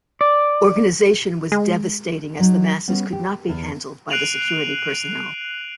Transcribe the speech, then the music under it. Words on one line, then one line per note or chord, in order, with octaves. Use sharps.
Organization was devastating as the masses could not be handled by the security personnel.
D5
G#3
F#3 D#4
G3 B3 C#4
G4
E2
F#6 C7 D7 D#7 F7 F#7